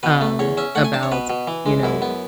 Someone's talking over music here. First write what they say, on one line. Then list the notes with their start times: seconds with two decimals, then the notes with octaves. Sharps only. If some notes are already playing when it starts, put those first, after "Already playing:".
Um, about, you know,
0.03 B2 B4
0.21 A3
0.39 E2 C#5
0.57 C#4 E5
0.75 A3 F#5
0.84 G#5
0.93 D4 A5
1.03 C#5
1.12 B2 B4
1.30 B2
1.48 E3
1.66 G#3
1.83 F#2 E4
2.02 B3